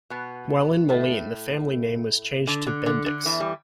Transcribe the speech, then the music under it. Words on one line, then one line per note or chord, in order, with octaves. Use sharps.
While in Moline the family name was changed to "Bendix".
B2 B3
A2 A3
D3
D3
D3
D3
E2 E3
G3